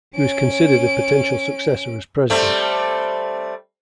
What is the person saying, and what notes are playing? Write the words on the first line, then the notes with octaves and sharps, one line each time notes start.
He was considered a potential successor as President.
C#4 D7
G3 A3 C4